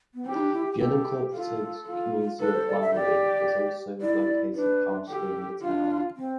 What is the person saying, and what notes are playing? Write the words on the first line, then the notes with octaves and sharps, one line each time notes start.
The unincorporated community of Waverly is also located partially in the town.
B3
C4 G4
E4
D4
E4
G4
G4 A4
F4 A4
F4
A4 B4
C5
D5
E5
G4 D5
E4 D5
D4 B4
G4 A4
D4 F4
C4